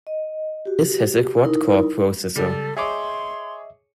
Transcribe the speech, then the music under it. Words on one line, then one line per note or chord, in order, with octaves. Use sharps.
This has a quad-core processor.
D#5
F#4 G4
D#4 E4 A#4
C#3 G3 A4
G#4 C#5 D#5 E5 C6 D6